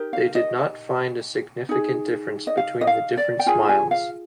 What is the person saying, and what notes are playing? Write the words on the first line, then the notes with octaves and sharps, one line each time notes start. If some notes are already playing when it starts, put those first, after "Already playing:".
They did not find a significant difference between the different smiles.
Already playing: D#4 G4 A#4
F5
D#5
D#4 G#4
D#5
F5
D#5
F5
D5
G5
F4 G#4 G#5
G#5
F5